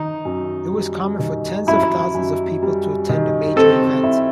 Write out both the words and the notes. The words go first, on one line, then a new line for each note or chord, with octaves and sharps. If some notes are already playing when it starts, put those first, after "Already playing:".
It was common for tens of thousands of people to attend a major event.
Already playing: D#3 D#4
F#2
G3
D#3
F#2 E4
F#2
G3
D#3
C4 A4
E4